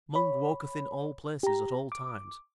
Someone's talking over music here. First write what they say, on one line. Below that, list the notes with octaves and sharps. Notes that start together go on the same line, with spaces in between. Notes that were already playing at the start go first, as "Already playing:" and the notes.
Mung walketh in all places at all times.
C#5 B5
G4 A#5
D6